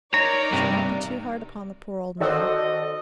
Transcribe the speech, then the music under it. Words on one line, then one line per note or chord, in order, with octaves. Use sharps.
We should not be too hard upon the poor old man.
D#4 A#4 C#5 D5 A#5
G2 C3
D#3 F#4 A4 C5 D5 D#5 E6